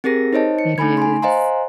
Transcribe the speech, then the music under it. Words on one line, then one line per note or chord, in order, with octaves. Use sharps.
It is,
C4 G4 G#4 A#4 A#6
D#4 C5 C#5 D#5 A5
C#7
A3 D#4 G#5 B5 G#6
G#5 C6
C5 D#5 F5 G#5 A#5 C6